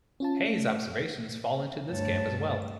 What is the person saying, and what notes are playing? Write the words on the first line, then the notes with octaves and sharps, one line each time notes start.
Hey's observations fall into this camp as well.
C#4 F4 A5
A3
D2 G2 C#5 A5